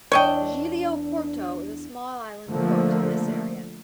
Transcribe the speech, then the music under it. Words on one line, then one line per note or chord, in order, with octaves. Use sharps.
Giglio Porto is a small island port in this area.
E2 D4 C#5 D#5 G5
D3 F3 A3 A#3